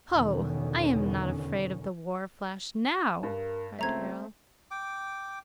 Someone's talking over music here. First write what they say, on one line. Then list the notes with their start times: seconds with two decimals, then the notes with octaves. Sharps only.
"Ho, I am not afraid of the war flash now," cried Harald.
0.12 E2 B2 D3 D#3 C#4
3.23 G2 A#4
3.79 C#2 A3 C4 E5 A#5 G#6
4.71 G5 D6